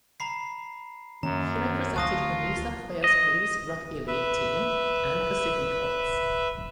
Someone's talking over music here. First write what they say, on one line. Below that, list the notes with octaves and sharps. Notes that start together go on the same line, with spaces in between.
He represented the New South Wales Police rugby league team and the Sydney Colts.
A#5 B5 C7
F#2 D#3 A#3 C#4 A#5
D2 F4 A5 C#6 D#6 F#6 A#6
D#5
B4 E5